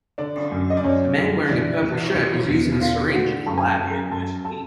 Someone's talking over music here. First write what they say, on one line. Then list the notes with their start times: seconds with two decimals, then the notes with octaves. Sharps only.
A man wearing a purple shirt is using a syringe in a lab.
0.18 D3 D4 D5
0.51 F#2
0.70 D#5
0.77 D5
0.83 F#2 C#4 C#5
1.17 D3
1.49 E3 D4 D5
1.83 E3
2.15 E3
2.48 E2
2.80 D3 F4 F5
3.13 D3 F#4 F#5
3.46 F#2 A4 A5
3.58 G#5
3.69 A4 A5
3.79 F#2
3.89 A#4 A#5
4.11 F#2 A4 A5
4.45 A4 A5